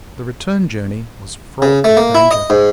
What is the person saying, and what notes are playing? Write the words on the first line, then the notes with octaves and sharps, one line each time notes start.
The return journey was fraught with danger.
C#3
A3
A#3
E4
D#5
G#2